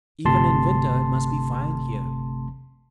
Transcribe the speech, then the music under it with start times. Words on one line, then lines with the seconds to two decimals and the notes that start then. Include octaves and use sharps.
"Even in winter it must be fine here."
0.25 G1 C3 A3 A5 C6